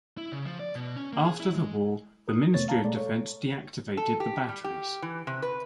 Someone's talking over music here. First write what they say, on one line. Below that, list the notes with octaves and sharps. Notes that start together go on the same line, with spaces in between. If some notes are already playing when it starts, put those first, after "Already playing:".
After the war, the Ministry of Defence deactivated the batteries.
E4
C#3
F3
D5
B2
C#4
A#3
G#4
E4
G#3
A#4 D#6
F2 C3 A3 B3 C#5 A6
F5 A5 A#5
A#2 G#3 A3 D5
A4 C#5
A4
G4
G3
G4
E3
C3
B4